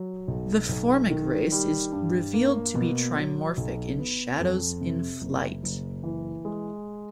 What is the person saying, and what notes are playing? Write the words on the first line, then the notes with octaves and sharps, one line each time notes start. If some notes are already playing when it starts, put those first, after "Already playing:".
The Formic race is revealed to be trimorphic in "Shadows in Flight".
Already playing: F#3
B1
B1
D#3
G3
G2
A#3
B2
F#3
B1
B3
F2
C3
F#1
F#1
E3
G#3